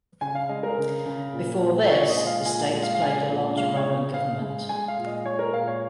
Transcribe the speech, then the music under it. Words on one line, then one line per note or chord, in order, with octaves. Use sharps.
Before this, the states played a larger role in government.
C#3 G#5
F5
G#3 D#5
A#4
C#3
C#3
A#2
A#2
A#2 C#5
D#5
G#3
F5
A#2 G#5
G#3
F5
F5
G#3 G#5
A#2
G#3 F5
C#5
C#3
C#3 F5
G#3
G#3 G#5
F5
A#2
D#5
G#3 C#5
A#4
A#2 F5
C#5